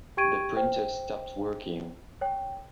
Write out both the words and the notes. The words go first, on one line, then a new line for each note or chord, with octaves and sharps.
The printer stopped working.
G4 G5 C#6 G#6 D7 D#7
C5 G5
C#5 G5